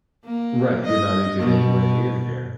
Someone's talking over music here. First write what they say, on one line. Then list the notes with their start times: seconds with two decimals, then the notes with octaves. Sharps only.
Right. You're not even anywhere near there.
0.24 A#3
0.85 D#5
1.39 B2